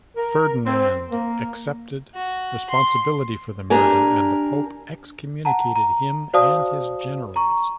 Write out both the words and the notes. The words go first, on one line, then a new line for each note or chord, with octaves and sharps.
Ferdinand accepted responsibility for the murder, and the pope excommunicated him and his generals.
A#4
C4
A#3
F#4
C6
D4 G4 A#4 G#5
F#5 A5 A#5
A#5
F#4 C5 D5 F5 A5 D#6
A#5 C#6